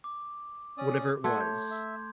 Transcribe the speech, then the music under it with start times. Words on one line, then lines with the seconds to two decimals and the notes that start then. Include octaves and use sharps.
whatever it was
0.04 D6
0.78 C#4 D5 D#6
1.24 A3 F#5 C6 E6 G#6
1.41 C#5 G6
1.70 E5